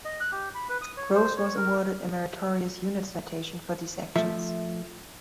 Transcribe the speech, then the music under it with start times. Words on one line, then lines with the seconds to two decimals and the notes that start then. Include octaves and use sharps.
Groves was awarded a Meritorious Unit Citation for these actions.
0.05 D#5
0.20 F#6
0.32 G4
0.55 B5
0.69 B4
0.82 D#6
0.97 C#5
1.14 C5
1.37 C#5
1.56 A#4
4.16 F3 A3 E5